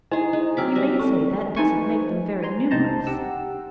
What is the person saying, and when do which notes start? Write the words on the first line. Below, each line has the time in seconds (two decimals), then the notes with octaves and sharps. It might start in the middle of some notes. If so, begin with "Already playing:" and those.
You may say that doesn't make them very numerous!
0.11 D#4 E4 G#4 C5 G#5
0.33 D#4
0.57 F#3 C4 D6 E6 F6 B6
0.75 G3 E5 A#5
0.99 C4 A4 C#6
1.56 D#4 B4 C5 G#5 C#6
2.42 G#5 A#5 C6
2.71 C2 C4 D#4 C5 A5 A#5
3.07 G4 F#5 E6